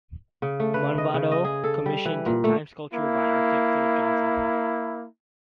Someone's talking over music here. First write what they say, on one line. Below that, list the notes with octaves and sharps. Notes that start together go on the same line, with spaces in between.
Movado commissioned "Time Sculpture" by architect Philip Johnson.
C#3
A3
B4
D#5
C#3
D#5
G#4
A4
G3
E3
A#2
A3
A#3 E4